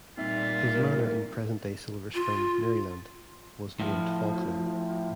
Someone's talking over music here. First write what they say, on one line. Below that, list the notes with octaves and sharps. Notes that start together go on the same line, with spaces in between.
His manor in present-day Silver Spring, Maryland was named Falkland.
A#2 G3 C4 D#4 F4 E5
A#4
F4
A2 F3